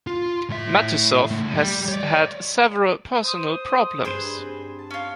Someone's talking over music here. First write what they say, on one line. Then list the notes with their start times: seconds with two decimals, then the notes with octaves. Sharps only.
Matusow has had several personal problems.
0.07 F4
0.50 A2 E5
1.31 C#3 A3
1.54 G3
1.88 C#5 D5
3.24 C5 D#6
4.05 G2 G#3 D4 G#4 B4 C5
4.38 C4
4.79 A5
4.91 C#4 F4